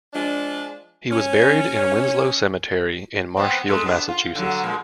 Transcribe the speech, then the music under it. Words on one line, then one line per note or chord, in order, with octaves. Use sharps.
He was buried in Winslow Cemetery in Marshfield, Massachusetts.
F3 G#3 D4
C#4
B3 C4
G#3 A3
B3 D4
F4
D3 F#3
A#2 G#3